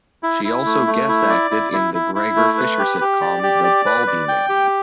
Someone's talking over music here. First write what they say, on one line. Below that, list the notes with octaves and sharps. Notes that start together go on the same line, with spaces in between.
She also guest-acted in the Gregor Fisher sitcom The "Baldy Man".
E4
E4
A3
A3
E4
D5
E4
E4
E4
E4
A3
B4
G4
G4
D5
G4
D5
B4
D5
G5
G4